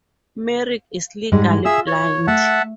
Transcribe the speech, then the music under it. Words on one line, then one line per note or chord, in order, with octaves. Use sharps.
Merrick is legally blind.
G#2 G3 G#3
F4 G#4 E5 E6
C#5
A3 E5 F#5 A5